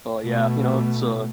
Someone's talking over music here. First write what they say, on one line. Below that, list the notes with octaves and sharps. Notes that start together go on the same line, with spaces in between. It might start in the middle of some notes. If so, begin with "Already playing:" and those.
oh, yeah. You know, it's, uh
B2 A3